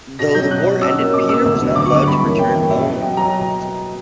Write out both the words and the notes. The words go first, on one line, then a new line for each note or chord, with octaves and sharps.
Though the war ended, Peter was not allowed to return home.
B2 A#6
F#3 C#4 G6
B2 F#6
F#3 C#4
B2 E6
A#3 C#4
B2 D6
A#3 C#4 E6
D2
D3 F#3 B3
D2 D6
C#6
D3 F#3 B3 D6
C#6
G2 B5
E3 A#3 C#4
G2 G5
E3 A#3 C#4
B2 E5
F#3 B3
B2 G5
F#3 A#5